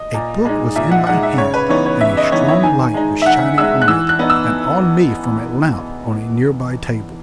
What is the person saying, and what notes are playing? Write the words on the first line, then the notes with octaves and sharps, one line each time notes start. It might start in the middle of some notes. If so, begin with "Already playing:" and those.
A book was in my hand and a strong light was shining on it and on me from a lamp on a near-by table.
Already playing: D#5
A#2
G#3 D#4
A#2 E5
F#5
G#3 D#4 F#5
E5
C#3 C#5
B4
E3 B3 D#4 C#5
C#5
C#3 E5
D#5
E3 B3 D#4 C#5
C#5
D#3 G#5
G#3 D#4
E5
D#3 F#5
G#3 D#4 E6
F#6
E3 E6
F#6
B3 D#4
E6